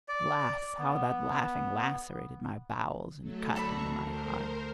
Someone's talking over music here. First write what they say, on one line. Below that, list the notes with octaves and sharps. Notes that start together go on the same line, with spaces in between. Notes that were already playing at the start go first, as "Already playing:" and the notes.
Alas, how that laughing lacerated my bowels and cut into my heart!
D5
B3
F#3 A3 A4
D2 F#4 A4 D5 A#5 B5 C#6
A#4 C5